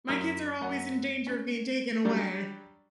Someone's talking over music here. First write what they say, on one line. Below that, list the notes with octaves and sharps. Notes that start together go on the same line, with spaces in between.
My kids are always in danger of being taken away
F#2 D#6 F6
F#2 F#5
C#4
F#3 G3 D4